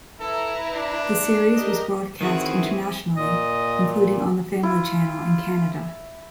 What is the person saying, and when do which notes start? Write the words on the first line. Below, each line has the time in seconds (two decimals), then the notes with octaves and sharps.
The series was broadcast internationally, including on the Family Channel in Canada.
0.20 E4 A4 B4 A#5
0.73 D4
1.56 G4 A#4 D#5
2.21 D#3 E3 C4 E4 F#4 G#4
3.17 A#2 D#5
4.63 E4 F4